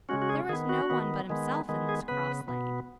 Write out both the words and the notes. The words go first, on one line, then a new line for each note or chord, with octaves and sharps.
There was no one but himself in this cross-lane.
C#3 G#3 C#4 F#4
F#4
G#4
D#3 B3 G#4
F#4
D#3 B3
D#3 G#3 B3
D#3 G#3 B3
G#4
C#3 B3 B4
B2 B3